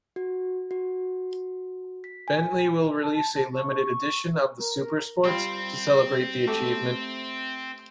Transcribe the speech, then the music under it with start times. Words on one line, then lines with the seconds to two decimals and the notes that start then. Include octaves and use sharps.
Bentley will release a limited edition of the Supersports to celebrate the achievement.
0.16 F#4
0.71 F#4
2.04 B6
2.28 G#5
3.04 A5
3.54 C#6
4.60 A#4
5.25 G3 C4 F4
6.47 A3 G4 E5